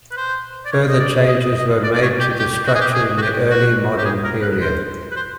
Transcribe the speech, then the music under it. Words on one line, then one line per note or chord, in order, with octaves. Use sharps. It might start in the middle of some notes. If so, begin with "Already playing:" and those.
Further changes were made to the structure in the early modern period.
B4
C5
D5
C#5
D#5
D5
D#5
D#5
D5
D5
C#5
G4
G4
G4
F#4
G#4
G4
G#4
F#4
G4
F#4
G4
G#4
A#4
B4
C5
B4
C5